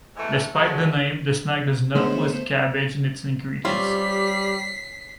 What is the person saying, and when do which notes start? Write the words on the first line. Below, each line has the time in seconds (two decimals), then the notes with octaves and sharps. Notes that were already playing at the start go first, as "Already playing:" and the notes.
Despite the name, the snack does not list cabbage in its ingredients.
0.16 G#2 B2 E3 G#3 A3
0.54 D3 F#3 G#3
1.95 D3 G#3 A3 B3 C#4 C5
3.65 G3 C4 C#4 F4 G4 B6 C7